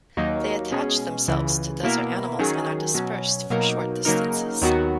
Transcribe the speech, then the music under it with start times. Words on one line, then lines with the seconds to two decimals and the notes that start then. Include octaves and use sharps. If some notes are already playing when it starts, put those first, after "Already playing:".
They attach themselves to desert animals and are dispersed for short distances.
0.17 D#2 D#3 F#3 A#3 D#4
0.71 B2 G#3 C#4 G#4
1.28 C#2 C#3 E3
1.83 B2 A#3 E4 A#4
2.39 D#3 F#3 C#4 G#4
2.94 B2 F#3 C#4
3.50 B2 F#3 A#3 D#4 A#4
4.05 C#3 F#3 A#3 D#4 A#4
4.61 D#2 D#3 F#3 B3 F#4